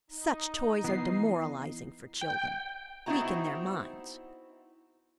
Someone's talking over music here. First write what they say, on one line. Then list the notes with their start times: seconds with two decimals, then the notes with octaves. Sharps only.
Such toys are demoralizing for children--weaken their minds.
0.10 D#4
0.84 E3 B3 C7
2.21 G5
3.06 B3 C4 D#4 E4 F#4 A#5